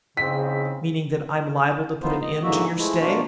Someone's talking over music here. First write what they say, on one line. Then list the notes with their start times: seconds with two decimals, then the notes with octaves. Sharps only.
"Meaning that I'm liable to put an end to your stay?"
0.17 E2 G#2 C#3 C4 B6
2.02 B3 D#4 F4 C5
2.21 D#5
2.43 G#2 D3 E3 A#3 F#4 E5
2.77 E3 F3 G#3 A3 E4
2.99 B2 A#3 D4 F4 F#4